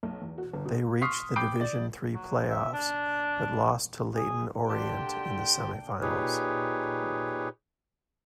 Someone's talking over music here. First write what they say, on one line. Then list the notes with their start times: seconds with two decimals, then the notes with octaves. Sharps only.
They reached the Division Three playoffs, but lost to Leyton Orient in the semi-finals.
0.03 B1
0.22 E2
0.38 F#4
0.53 G1
0.65 B2
1.01 C6 C#6 D#6 F6 B6 C7
1.36 G5 B5 D6 G6 C7 D7
1.61 D5
2.14 F#3
2.50 E5
2.73 D4
4.15 G#4
4.69 D3 A#3 D4 G4 G5 A5 C6
6.02 A#2 D#4 G4 G#4 B4 C#5